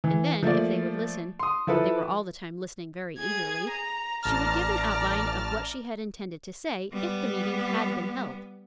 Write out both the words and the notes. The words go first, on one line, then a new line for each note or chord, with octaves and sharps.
And then, if they would listen,--they were all the time listening very eagerly,--she would give an outline of what she had intended to say, if the meeting had been held.
E3
F3 A3 A#3 D5
C6 D#6
F3 E4 A4 B4
G#4 G#6
A#5
A1 D5 A5 A#5 F6
G3 B3